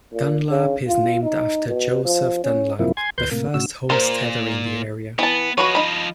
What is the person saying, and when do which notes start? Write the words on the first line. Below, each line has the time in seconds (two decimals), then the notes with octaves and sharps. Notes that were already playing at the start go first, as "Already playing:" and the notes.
Dunlap is named after Joseph Dunlap, the first homesteader in the area.
0.14 A#2
0.51 C#3
0.88 F4
1.23 D#4
1.67 B2
2.05 F3
2.44 C#4
2.79 F#2 C3 F3 A#3 E4
2.97 G#5 C6 G#6
3.18 D2 B4 C6 G6
3.31 A2 C3 A#3
3.54 A2 C#3 F#4 E6
3.90 A#2 A#4 C5
5.19 E3 B3 A5
5.58 F3 F#4 B4 C#5 D#5
5.75 D#4 B5